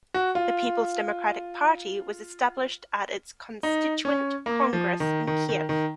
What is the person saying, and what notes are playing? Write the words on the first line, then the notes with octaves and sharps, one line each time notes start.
The People's Democratic Party was established at its constituent congress in Kiev.
F#4
F4
D#4
C#4
A#3
F3
D#3
D#3
D#3
D#3